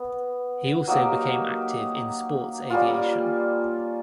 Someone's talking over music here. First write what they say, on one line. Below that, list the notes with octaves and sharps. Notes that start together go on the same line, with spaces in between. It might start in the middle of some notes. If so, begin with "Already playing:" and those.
He also became active in sports aviation.
Already playing: B3
F#3 A#3 D#4 G4
G3 A#3 C#4 F4